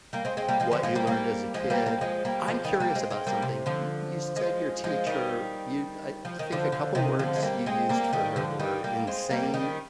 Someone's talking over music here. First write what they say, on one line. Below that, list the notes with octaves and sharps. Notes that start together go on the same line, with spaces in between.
what you learned as a kid. I'm curious about something. Y you said your teacher you I I think a couple words you used for her were insane,
G3 A#3
G#3 C4
G#3 C4
G3 A#3
F3 G#3
D3 F3
F3 G#3
G3 A#3
G3 A#3
F3 G#3
G3 A#3
G3 A#3
F3 G#3
G3 A#3
F3 G#3
D#3 G3
G3 A#3
G#3 C4
G#3 C4
G3 A#3
C3
D3 F3
F3 G#3
F3 G#3
D#3 G3
F3
D#3
D3 F3
D3 F3
C3 D#3
D3 F3
G#3
G3 A#3
G#3 C4
G3 A#3
D#3 G3
D3 F3
D#3 G3
G3 A#3
G#3 C4
G3 A#3
D#3 G3